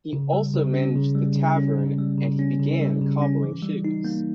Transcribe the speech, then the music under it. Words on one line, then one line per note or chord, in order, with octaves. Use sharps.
He also managed the tavern and he began cobbling shoes.
C#3
G3
C#3
C#4
C#3
G3
C#3
C#4
C#3
G3
C#3
C#4
C#3
G3
C#3
C#4
E3
G3
D#4
A#3